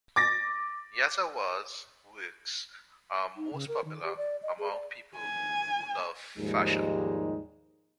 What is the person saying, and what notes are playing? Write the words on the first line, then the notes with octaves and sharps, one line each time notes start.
Yazawa's works are most popular among people who love fashion.
D6 A6 A#6
D#4
C#3
A#4
D#3
G4
D5
D#5
G#4
D5
G#5
D#2 G#2 F3 G3 G#3 D#4